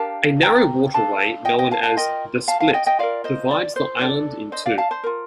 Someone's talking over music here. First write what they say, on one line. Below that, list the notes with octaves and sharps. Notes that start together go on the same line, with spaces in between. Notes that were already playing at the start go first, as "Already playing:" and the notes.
A narrow waterway known as "the Split" divides the island in two.
Already playing: D4 G4 A#4 F5 A5
G5 A#5
D4 A4 F5 A5
D#5 G5
D#5 G5
F5 A5
F5 A5
F4 A#4 D#5 G5
F5 A5
F5 A5
D#5 G5
D#5 G5
F4 A#4 D5 F5
C5 D#5
D5
C5
D4 A4 D5
C5 D#5
D5 F5
F5 A5
C5
F4 A#4